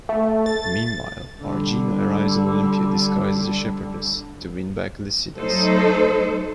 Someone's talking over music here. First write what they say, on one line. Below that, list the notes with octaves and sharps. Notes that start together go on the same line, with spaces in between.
Meanwhile, Argene arrives in Olympia disguised as a shepherdess, to win back Lycidas.
A3
A6
D3 G3
F#3 A3 D#4 A4 C5